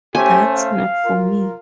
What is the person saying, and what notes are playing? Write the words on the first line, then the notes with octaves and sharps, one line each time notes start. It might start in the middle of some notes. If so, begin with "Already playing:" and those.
That's not for me.
A3 C#4 G4 C5 G#5
F5
F4 A#4